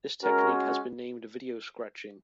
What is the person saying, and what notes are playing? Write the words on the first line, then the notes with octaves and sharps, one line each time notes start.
This technique has been named video scratching.
G#3 C#4 F#4 A#4